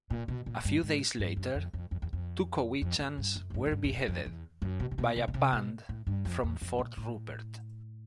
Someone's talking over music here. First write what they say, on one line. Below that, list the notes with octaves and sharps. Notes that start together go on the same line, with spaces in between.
A few days later, two Cowichans were beheaded, by a band from Fort Rupert.
A#2
B2
A#2
G2
G#2
G2
F#2
F2
F2
F2
E2
F2
F2
F#2
G2
F#2
G#2
G2
G#2
G2
E2
F2
F2
E2
F#2
B2
C3
B2
B2
B2
C3
B2
A2
G2
F2
E2
F2
A#2
A2